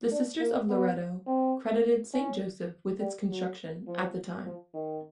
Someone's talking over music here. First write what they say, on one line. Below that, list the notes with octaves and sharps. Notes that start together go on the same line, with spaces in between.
The Sisters of Loretto credited Saint Joseph with its construction, at the time.
D4
A#3
B3
C4
C#4
G3
F#3
F3
F3
D#3